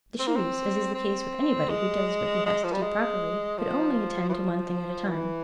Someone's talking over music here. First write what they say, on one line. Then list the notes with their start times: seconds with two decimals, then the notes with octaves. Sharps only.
The Shoes, as is the case with anybody who does what he has to do properly, could only attend to one thing at a time.
0.19 C4
0.27 A#3
0.36 C4
0.94 C4
1.69 G#3
2.46 G#3
2.63 F3
2.73 G3
2.82 G#3
3.58 F3
4.29 E3
4.34 F3
5.09 E3